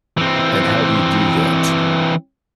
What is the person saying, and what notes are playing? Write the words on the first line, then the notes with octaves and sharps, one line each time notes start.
and how do you do that?
E3 C4